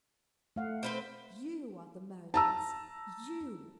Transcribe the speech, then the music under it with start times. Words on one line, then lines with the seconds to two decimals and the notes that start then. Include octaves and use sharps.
You are the murderess--you!
0.56 A3 F5 F#5
0.83 C4 B4 C5
2.34 A5 A#5 E6